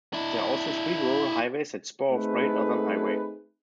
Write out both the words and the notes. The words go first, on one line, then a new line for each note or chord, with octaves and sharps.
There are also three rural highways that spur off Great Northern Highway.
D4 E4
A3 C4 D#4 G#4 A4 B4